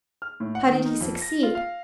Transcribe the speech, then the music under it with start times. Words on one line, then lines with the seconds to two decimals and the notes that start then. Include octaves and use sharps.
'How did he succeed?'
0.22 F6
0.40 A2
0.55 F#5
0.67 D#3
0.85 D#4
1.01 F2
1.22 A#6
1.43 F4
1.55 F5